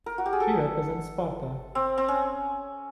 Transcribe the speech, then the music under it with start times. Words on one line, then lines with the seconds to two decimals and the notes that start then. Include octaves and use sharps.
She represents Sparta.
0.06 A#4
0.18 F#4
0.26 G4
0.33 G#4
0.40 A4
1.75 C4
1.98 C4
2.08 C#4